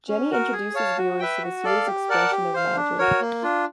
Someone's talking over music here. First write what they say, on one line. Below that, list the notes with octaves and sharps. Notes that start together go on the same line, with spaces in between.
Jenny introduces viewers to the series' expression of magic.
C#4
F#4 A#4
G#4
C#5 F5 A5
F#4
B4 E5 G5
F#4
A4 D5 F5
G4
A#4 D5 F#5 A5
G4
C5 F5
D4
F#4 A#4 C#5
A#3
D4 F4